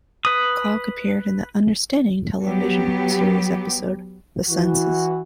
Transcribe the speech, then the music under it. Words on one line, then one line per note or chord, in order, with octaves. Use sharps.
Cog appeared in the "Understanding" television series episode "The Senses".
B4 D#6
F#3 B3 G4
E3 F#4